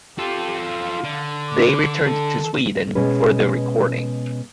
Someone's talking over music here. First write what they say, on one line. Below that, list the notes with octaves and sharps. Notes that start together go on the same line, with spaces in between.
They returned to Sweden for the recording.
F4 G4 A4
F5
D3
D6
A4
B2 G#3 B3 C#4 B4